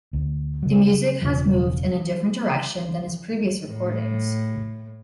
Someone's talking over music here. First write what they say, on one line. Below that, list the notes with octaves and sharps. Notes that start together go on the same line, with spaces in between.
The music has moved in a different direction than his previous recordings.
D2
C#3 F#3
E1 C#3 F3
F#3
A2